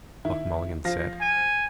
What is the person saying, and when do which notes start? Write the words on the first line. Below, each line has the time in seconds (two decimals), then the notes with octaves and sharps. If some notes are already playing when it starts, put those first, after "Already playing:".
Buck Mulligan said.
0.25 D#3 E4
0.85 F3 F5 A#6
1.21 G#5